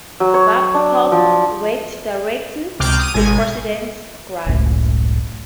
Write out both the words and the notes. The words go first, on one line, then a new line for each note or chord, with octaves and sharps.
Babcock worked directly for President Grant.
F#3
C#5
D4
F3
C#2 C3 D6 F6 G6
D#6 D#7
G#1 B2 G#3 G#5
F#1 C#2 A2